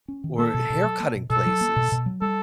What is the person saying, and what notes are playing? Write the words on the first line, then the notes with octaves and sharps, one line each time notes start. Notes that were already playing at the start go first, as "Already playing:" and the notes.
or hair cutting places
C#4
D#3
A#3 A4
B2
B2
F#3
A#3
B2
B2 A4
F#3
A#3
B2
B2
F#3
G3 A4